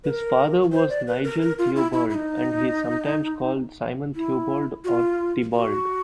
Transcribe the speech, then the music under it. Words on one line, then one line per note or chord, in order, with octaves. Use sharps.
His father was Nigel Theobald, and he is sometimes called Simon Theobald or Tybald.
B4
A#4
C5
D5
B4
A#4
A#4
F4
E4
E4
E4
D#4
E4
F#4
F4
F#4